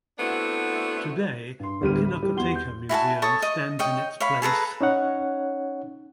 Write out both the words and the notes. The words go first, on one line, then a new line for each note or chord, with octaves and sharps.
Today the Pinacoteca Museum stands in its place.
A3 B3 C4 D4 E4 F#4
G2 C6
D2 A2 G3 B3 F6 D#7
B5
G3
E2 F#4 G4 F#5 C6 G7
C6 G6
E4 F#4 G#5 A5
A4 C#5 C#6 D#6
D#5
C#5 D#5 G5
C#5 F5 B5
G#4 A4 B4 A#5
C#4 D#4 C#5 F#5